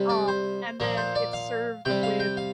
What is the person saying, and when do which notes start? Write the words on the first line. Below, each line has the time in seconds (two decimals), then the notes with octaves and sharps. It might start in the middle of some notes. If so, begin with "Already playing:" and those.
Um, and then, it's served with
Already playing: C3 G3
0.09 D5
0.28 C5
0.80 A#2 F3 A#4
0.97 C5
1.15 D5
1.33 F5
1.85 C3 G3 G5
2.03 F5
2.20 G5
2.37 F5